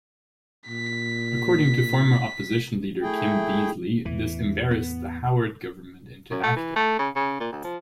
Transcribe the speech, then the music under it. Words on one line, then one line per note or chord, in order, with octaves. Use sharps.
According to former opposition leader Kim Beazley, this embarrassed the Howard government into acting.
A#2 B6
A3 E4 G#4 G5
E2 A2 E3
B3
F#2
A3
E3
A3
C#3
C#3
A#2
D2
F3